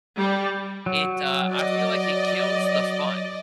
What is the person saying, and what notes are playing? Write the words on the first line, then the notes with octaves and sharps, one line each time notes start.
it, uh, I feel like it kills the fun.
G3
F#3
D5 D#5